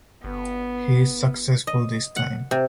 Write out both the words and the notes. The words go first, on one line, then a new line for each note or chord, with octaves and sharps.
He is successful this time.
G1 B3
D#5
F#5
C3